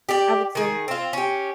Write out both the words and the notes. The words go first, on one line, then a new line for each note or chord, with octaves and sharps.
I would say
G4 D5
D#3 G#4
C4 F4
C#4 G4